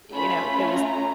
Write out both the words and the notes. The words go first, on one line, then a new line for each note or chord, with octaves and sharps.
you know, it was
A3 C#4 F4 B5
A#5